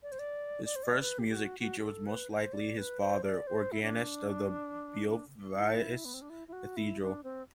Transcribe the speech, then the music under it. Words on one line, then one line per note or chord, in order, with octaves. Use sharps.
His first music teacher was most likely his father, organist of the Beauvais Cathedral.
D5
C5
D5
D5
C5
D5
B4
G4
G4
F#4
F#4
G4
A4
B4
C5
D5
B4
C5
D5
C5
E4
D4
D4
E4
B3
C4
D4
E4
E4
F#4
E4
D4
C4